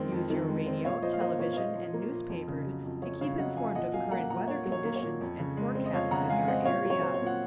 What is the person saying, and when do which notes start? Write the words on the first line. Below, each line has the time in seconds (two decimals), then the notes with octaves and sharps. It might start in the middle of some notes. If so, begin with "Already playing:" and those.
Use your radio, television and newspapers to keep informed of current weather conditions and forecasts in your area.
Already playing: F2 D#3 G#3 C4
0.12 F2
0.30 D#3
0.48 G#3
0.67 C4
0.85 A#2 C#5 F5
1.02 F3 C5 D#5
1.13 F5
1.20 A#3 C5 D#5
1.39 A#2 C#5
1.53 F5
1.56 A#2 C5 D#5
1.75 F3
1.94 A#3
2.12 A#2
2.30 F2
2.48 C#3
2.67 F#3
2.85 F2
3.02 F2 C#5
3.21 C#3 C#5 F5
3.38 F#3 D#5 F#5
3.57 F2 F5 G#5
3.75 A#2 D#5 F#5
3.94 F#3 F5 G#5
4.11 A#3 F#5 A#5
4.30 A#2 F#5 A#5
4.48 A#2 C#5
4.65 F#3
4.72 C#5
4.84 A#3
4.96 C#5
5.03 A#2
5.21 F2
5.39 C#3
5.57 G#3
5.75 C4
5.86 D#5
5.93 F2 C#5 F5
6.11 C#3 F#5 A#5
6.30 G#3 F5 G#5
6.48 C4 D#5 F#5
6.65 A#2 C#5 F5
6.85 F#3
6.90 C#5
7.02 C4
7.14 C#5
7.21 A#2
7.26 F#5